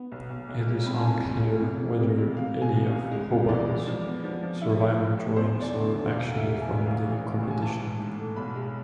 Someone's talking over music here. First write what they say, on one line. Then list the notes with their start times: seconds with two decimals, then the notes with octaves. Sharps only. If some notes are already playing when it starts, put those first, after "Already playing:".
It is unclear whether any of Hoban's surviving drawings are actually from the competition.
Already playing: B3
0.12 B1
0.30 B1
0.49 B1
0.68 G#3
0.86 C4 B5
0.93 A5
1.01 G#5
1.05 G#1 A5
1.24 G#2
1.43 G#3
1.61 F2
1.80 C3
1.99 C3
2.18 G#3
2.36 C3 F5
2.55 A3
2.61 G#5
2.74 C2
2.87 F5
2.93 C2
3.11 G#3
3.31 F2
3.49 E3 D5
3.68 G#3
3.86 F3
4.06 B3
4.24 F3
4.43 F3
4.61 E4
4.81 E4
4.99 E4
5.18 A2
5.37 E2 C5
5.55 E2
5.62 D5
5.74 D3
5.93 D3
6.11 E1 F5
6.30 D3
6.37 E5
6.49 G#3
6.62 G#5
6.68 D2
6.86 A1 F5
7.05 E3
7.24 A1
7.43 A2
7.51 G#5
7.61 E3 A5
7.80 G#2
7.99 G#2
8.18 A3
8.36 B1 B5
8.55 G#3